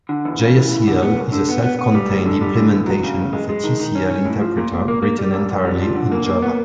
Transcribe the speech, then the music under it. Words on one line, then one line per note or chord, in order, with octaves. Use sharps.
Jacl is a self-contained implementation of a Tcl interpreter, written entirely in Java.
D3
E2
C#3
E3
E2
D3
B3
F#2
D3
B3
B3
B3
G3
D2
D3
G3
D3
E2
F#3
C#3
E2
G#3
G#3
D#3
D#3
C#4
C#4
A2
F3
A#2
A#2
A#3
A#3
G3
F#2
F#2
G3
F3
D3
A#3
A#3
B3